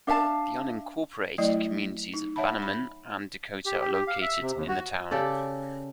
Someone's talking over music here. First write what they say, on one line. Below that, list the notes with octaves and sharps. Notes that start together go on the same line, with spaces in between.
The unincorporated communities of Bannerman and Dakota are located in the town.
D4 E5 F5 A5
F#3 A3 E4 D5 D#5
D#4
C#5 E5 F#5 A5 B5
B5
G4
G4
G4
F5
E5
C3
D#2
F#4
C#3 G4 A4 D5